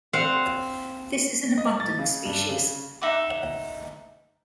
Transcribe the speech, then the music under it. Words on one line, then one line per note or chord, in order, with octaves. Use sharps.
This is an abundant species.
C4 F5 F#5
D#5
A6
C#3
G2
C#3
D#4 E5 F#5 D6